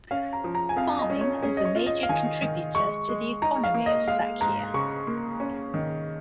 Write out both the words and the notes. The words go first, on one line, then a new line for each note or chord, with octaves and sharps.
Farming is a major contributor to the economy of Sachkhere.
C#4 F5
A#5
F3
A#5
G#5
F2 F5
D#5
C#4
C#5
C#4 G#4
D#5
C#5
F4
D#5
F5
D#3 G#5
D#3
G#3 C#6
G#3
D#4 A#5
F5
A#3
D#5
G#3 F5
G#2 A#5
C#3 C#6
A#3
C#4
D#3